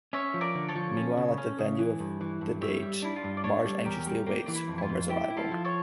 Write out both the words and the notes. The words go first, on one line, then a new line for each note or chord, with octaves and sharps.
Meanwhile, at the venue of the date, Marge anxiously awaits Homer's arrival.
C#4 C#5 E5
F3
A#4 D5
D3
A4 C#5
F3
C#4
C#3
C#4
C#3
E3
G2
E3
G2
G3 C#5 E5
G3
D4 E4
F4
G2
D5
D4 A4 C#5
G3
E2 G4 A#4
G3
A#3 G4
E3 D4
E4
F2
E4
F4
F2
E4 G4
E4
F4 A4
F3
A4 C#5